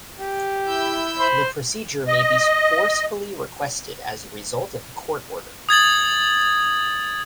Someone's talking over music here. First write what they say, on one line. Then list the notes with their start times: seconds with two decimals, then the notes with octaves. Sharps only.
The procedure may be forcefully requested as a result of a court order.
0.19 G4
0.66 E4 E6 G6
1.19 C5 B5
2.07 D#5
5.69 D#6 G#6 A6 F#7